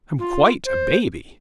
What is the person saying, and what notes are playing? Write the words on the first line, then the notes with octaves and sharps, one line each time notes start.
I'm quite a baby.
F4
C5